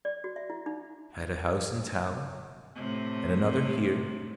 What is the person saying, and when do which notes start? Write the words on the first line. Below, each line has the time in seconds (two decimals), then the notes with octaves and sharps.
I had a house in town and another here.
0.05 D5
0.24 F#4
0.36 E5
0.50 E4
0.66 D#4
2.75 A2 C3